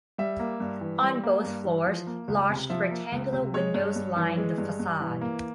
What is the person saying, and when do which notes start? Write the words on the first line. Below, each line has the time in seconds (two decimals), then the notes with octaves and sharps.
On both floors, large rectangular windows line the facade.
0.18 G3 E5
0.40 A#3
0.60 G2
0.81 E3
1.02 G3
1.23 A#3
1.44 G2
1.65 E3
1.86 F3
2.07 A#3
2.28 C#2
2.49 C3
2.70 F3 E5
2.91 A#3
3.12 C#2
3.32 C3
3.54 G#3 C#5
3.74 G2
3.96 G2
4.17 E3
4.38 G#3
4.58 G2
4.79 G2
5.00 E3
5.21 A#3